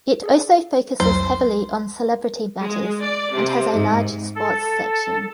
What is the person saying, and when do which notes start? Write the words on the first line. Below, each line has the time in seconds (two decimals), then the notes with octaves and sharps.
It also focuses heavily on celebrity matters, and has a large sports section.
0.23 G#4 A4 D5
1.00 C2 F2 F#3 C5
2.59 G#3
3.02 D5
3.33 C3
3.74 G#2
4.36 A4